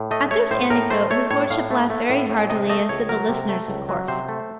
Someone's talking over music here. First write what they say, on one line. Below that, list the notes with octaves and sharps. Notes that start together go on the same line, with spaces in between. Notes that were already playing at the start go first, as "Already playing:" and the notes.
At this anecdote his Lordship laughed very heartily, as did the listeners, of course.
Already playing: A2
A3 D#5
A3 C#5
A2 C5
A2 A#4
A3 C5
A3 C#5
A2 C#5
A2 F5
A3
A3
A2
A2
C3 D#5
A3 D#5
C#2 C#5
F#3 A#4
C3
A3
C#2
F#3
C3 C5
A3